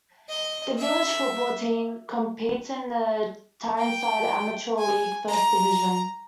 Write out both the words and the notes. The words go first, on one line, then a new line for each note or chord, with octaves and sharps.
The village football team competes in the Tyneside Amateur League First Division.
D#5
E5
G5
G#5
A#5